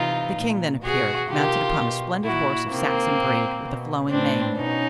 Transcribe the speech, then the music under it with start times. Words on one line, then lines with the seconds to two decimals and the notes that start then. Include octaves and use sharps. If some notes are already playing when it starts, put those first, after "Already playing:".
The king then appeared, mounted upon a splendid horse of Saxon breed, with a flowing mane.
Already playing: C3 E3 D#4 F4
0.37 A#2
0.84 B2 F#4 G#4
1.30 C3 D#3 F4 G4
1.77 B2
2.23 A#2 E4 F#4
2.70 C3 D#3 A#3 C4
3.18 A#2
3.64 B2
4.10 A2 E3 C4 D4
4.57 B2 C#4 D#4